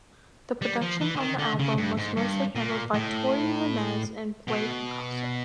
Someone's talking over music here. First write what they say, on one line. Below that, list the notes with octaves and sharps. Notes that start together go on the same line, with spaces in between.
The production on the album was mostly handled by Tory Lanez and Play Picasso.
G3
F3
E3
D3
D#3
D3
C#3
G2
G#2
G2
A#2
A2
B2